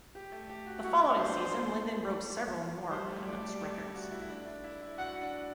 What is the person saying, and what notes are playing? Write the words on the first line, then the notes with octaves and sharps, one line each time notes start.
The following season, Linden broke several more Canucks records.
G4
A3
G4
F#4
E4 F#4
D4
A3
B3 C5
A3
G3 C5
A3
A3 D5
G3
A3
A3
F#4
E4
E4
D4
D4
E4
E4
F#4 F#5
D4